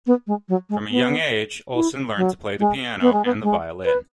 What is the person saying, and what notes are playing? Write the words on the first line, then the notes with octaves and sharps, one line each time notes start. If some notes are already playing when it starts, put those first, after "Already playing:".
From a young age Olsen learnt to play the piano and the violin.
B3
G#3
F#3
G#3
B3
E4
F#3
G#3
B3
G#3
B3
G#3
B4